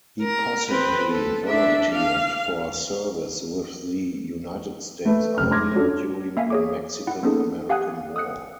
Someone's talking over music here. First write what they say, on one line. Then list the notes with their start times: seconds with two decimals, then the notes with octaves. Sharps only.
He possibly volunteered for service with the United States Army during the Mexican-American War.
0.22 A#4
0.70 C4 B4
1.10 A4
1.46 D4 E5
1.92 F5
5.05 A3 B4
5.38 F1 F6
5.51 C6 D6 F6 G#6 A#6
5.73 C#4 D4 F#4 A4
6.37 A#3 E5 F5 G#5 B6
6.50 G#4 C#5 D6
7.07 E4 F#5
7.23 A#3 B3 C#4 D#4 G#4 A4
7.69 G4 F5 F#5 G#5 D#6 F#6
8.16 D#6 E6 F#6 C#7